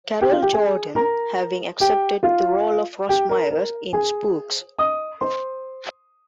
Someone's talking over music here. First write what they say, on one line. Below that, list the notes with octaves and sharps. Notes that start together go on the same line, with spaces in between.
Carol Jordan, having accepted the role of Ros Myers in "Spooks".
G4 G5
F4 F5
G4 G5
G#4 G#5
A#4 A#5
G4 G5
F4 F5
G4 G5
A#4
A#4
G#4 G#5
D#5 D#6
C5 C6